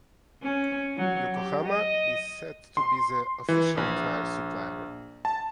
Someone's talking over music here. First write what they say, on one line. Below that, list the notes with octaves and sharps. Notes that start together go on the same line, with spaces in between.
Yokohama is set to be the official tyre supplier.
C#4
F#3
G4
D#5
C6
E3
A#1
A5